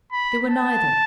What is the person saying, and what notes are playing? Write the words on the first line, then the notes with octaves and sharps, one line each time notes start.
They were neither.
B5
A5